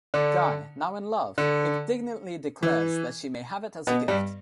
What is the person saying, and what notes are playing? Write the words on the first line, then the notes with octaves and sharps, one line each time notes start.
Guy, now in love, indignantly declares that she may have it as a gift.
D3 D4
D3
E3
B2 B3
G2 G3